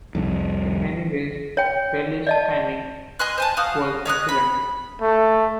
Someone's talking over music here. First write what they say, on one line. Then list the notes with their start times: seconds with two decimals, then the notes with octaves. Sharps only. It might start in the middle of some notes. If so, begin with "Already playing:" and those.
In many ways, Wallis' timing was excellent.
0.15 C2 F2
1.57 C#5 G5
2.27 D5 D#5 A5
3.19 D#5 G#5 C6 F#6
3.38 C5 G#5 A5
3.57 F#4 F5 D#6
4.06 C#5 D#5 D#6 F#6
4.29 B5
5.01 A3